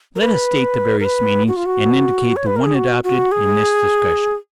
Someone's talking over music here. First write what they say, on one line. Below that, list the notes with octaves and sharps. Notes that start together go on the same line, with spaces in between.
Let us state the various meanings and indicate the one adopted in this discussion.
A#4
B4
A#4
B4
F#4
F4
F#4
C#5
B4
A#4
G#4
F#4
F#4
G#4